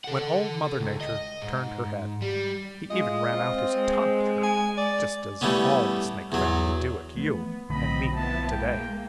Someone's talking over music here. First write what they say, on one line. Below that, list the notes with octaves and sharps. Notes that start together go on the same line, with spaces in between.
When Old Mother Nature turned her head, he even ran out his tongue at her, just as all the Snake family do at you and me to-day.
A4 F#5
C#2
D#5
G#2
G3
G#3 F4 D#5
C4 F4
G#3
G#5
D5
E3 G3 A3 B3 C#4
E2 F#3
E3 F3 A3 B3
B1 D3 E3 F#3 A3 C4 D#5 B5
F3 B3 E4 A5
G#3 A#3 G5